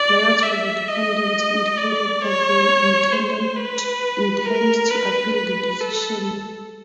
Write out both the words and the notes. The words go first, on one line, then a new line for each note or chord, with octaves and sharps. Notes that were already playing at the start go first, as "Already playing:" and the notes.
Lawyers for the defendants indicated that they intended to appeal the decision.
Already playing: D5
E5
D#5
D5
C#5
C5
B4
A#4
B4
B4
A4